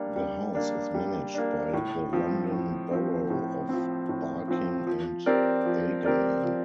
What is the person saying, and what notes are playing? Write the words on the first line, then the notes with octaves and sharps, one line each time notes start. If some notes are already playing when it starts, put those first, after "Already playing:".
The house is managed by the London Borough of Barking and Dagenham.
Already playing: G3 A#3 D4
G3
A#3 D4
G3
A#3 D4
A2
F3 C4
A2
F3 C4
A2
F3 C4
A2
F3 C4
F3
C4 G4 A#4 D5
F3
C4 G4 A#4 D5
F3